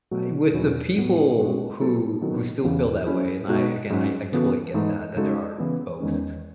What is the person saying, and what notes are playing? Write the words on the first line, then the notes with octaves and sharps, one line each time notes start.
I with the people who who still feel that way and I, again, I totally get that that there are folks.
B2 F#3 A3
E2 B2 F#3 C#4 E4
A2 F#3 B3
B2 G#3 C#4 F#4
F#3 A3 E4 A4
D#3 F#3 B3 F#4 A4
E2 C#3 E3
F#3 C#4 E4 G#4
B2 G#3 D#4 F#4 A4
G#2 F#3 C#4
C#3 E3 B3 F#4 A4
G#2 E3 A3 D#4
C#3 G#3 D#4 F#4 A4
C#3 E3 B3 E4
E2 D#3 G#3 C#4